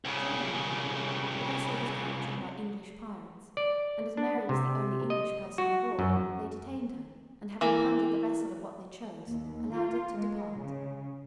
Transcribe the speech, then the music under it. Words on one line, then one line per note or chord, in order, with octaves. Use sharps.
During the voyage, the vessel was captured by English pirates, and as Mary was the only English person on board, they detained her, and having plundered the vessel of what they chose, allowed it to depart.
C2 C#3
D5
D4
C3
D#5
F#4
F#2
E3 A#3
D#2
F4
G#3
C#3